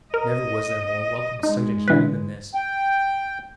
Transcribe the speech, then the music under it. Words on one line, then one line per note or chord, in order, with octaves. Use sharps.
Never was there more welcome sight and hearing than this.
A#4 D#5
G#3 D#4
D3 E3 B4
G5